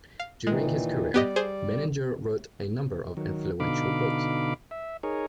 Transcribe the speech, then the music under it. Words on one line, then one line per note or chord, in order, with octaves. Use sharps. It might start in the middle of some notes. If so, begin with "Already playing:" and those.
During his career, Menninger wrote a number of influential books.
F5
A#2 D#3 E3 G#3
G3 B3 G4 D5 D#5
G#4 C5
D#3 F#3
B2 D3 D#4 F5 B5 D6
E5
D#4 G#4 A#4 C#5